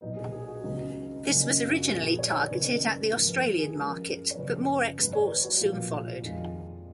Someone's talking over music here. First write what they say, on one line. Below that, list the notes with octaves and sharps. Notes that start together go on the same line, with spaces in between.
This was originally targeted at the Australian market, but more exports soon followed.
B1 A#2 F#3 B3 D#4
G#4
G#4
F#4
C#2 C#3 F#3 B3 D#4
F#1 F#2 D#3 A#3 C#4
D#4
F4
F#4
A#1 A#2 G#3 B3 G#4
B4
C#5
C#5
F#1 F#2 D#3 A#3 B4
G#1 G#2 F3 A#3 A#4
B4
A#4
G#4
F#2 F3 G#3 A#4
C#5
F#1 F#2 F3 A#3 B4
G#1 G#2 F#3 B4
C#5
B4
F#4
B1 A#2 F3 A#3 F4
F4
F2 D#3 G#3 F4